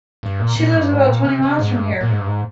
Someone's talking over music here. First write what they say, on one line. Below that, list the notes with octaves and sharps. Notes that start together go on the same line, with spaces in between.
She lives about twenty miles from here.
G2
A#2
A#2
G2
G#2
A#2
C3
C3
G#2
G2
A#2
G#2
G2
G#2